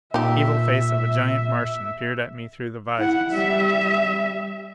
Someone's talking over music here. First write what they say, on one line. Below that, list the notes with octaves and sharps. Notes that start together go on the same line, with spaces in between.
The evil face of a giant Martian peered at me through the visors.
A#2 D#4 G4 E5
E4 F#5
G3 E5